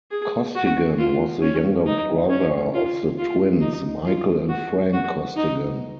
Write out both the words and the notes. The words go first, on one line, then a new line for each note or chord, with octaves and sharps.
Costigan was the younger brother of the twins Michael and Frank Costigan.
G#4
F#4
F4
C#4
D#4
C#4
F4
F4
D#4
F4
F#4
F#4
D#4